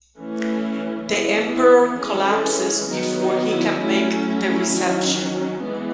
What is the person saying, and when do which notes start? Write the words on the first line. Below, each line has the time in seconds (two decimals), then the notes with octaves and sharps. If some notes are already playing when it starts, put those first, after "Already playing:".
The Emperor collapses before he can make the reception.
0.17 E3 A3 C#4
1.07 E3 B3 E4
1.53 E4
1.98 E3 G#3 C#4 G#4
2.29 A4
2.60 G#4
2.89 D#3 F#3 B3 D#4
3.20 D#4
3.51 E4
3.81 F#3 A3 C#4 E4
4.26 E4
4.72 D#3 F#3 C#4
5.63 E3 G#3 B3